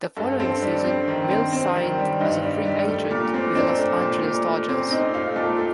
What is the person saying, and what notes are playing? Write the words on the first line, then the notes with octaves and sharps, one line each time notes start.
The following season, Mills signed as a free agent with the Los Angeles Dodgers.
G2 A4
C4 A4
G3 D4
C4
D#3
C4
C4
D#3
G3
G2 D#4
G3
G3
A3
A#2
C4
C4 D4
A3
A#2
A#2
A3
C4
C4 D#4
A3 F4
A#2 A4
A3